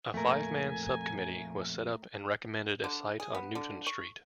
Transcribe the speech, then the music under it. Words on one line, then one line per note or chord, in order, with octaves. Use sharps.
A five-man sub-committee was set up and recommended a site on Newton Street.
F2 A#2 A3 A#4 G#5
D3
G#4
B3
D3
C#6